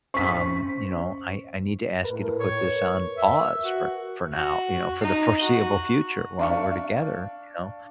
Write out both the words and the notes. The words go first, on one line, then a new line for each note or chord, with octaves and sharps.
um, you know, "I I need to ask you to put this on pause for for now," you know, "for the foreseeable future while we're together," you know,
C#4 C5 C#6 B6
A2 A#4 B4
C#5
E5
F#4
F#4
D#4
F#4
D4 F5 C#6